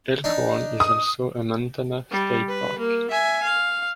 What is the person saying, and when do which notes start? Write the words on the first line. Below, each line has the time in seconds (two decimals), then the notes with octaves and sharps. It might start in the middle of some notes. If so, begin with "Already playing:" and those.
Elkhorn is also a Montana State Park.
0.24 D4 D#4
0.80 D#6
2.11 G3
2.48 B4
2.79 A#3
3.10 E5 G#5
3.43 F5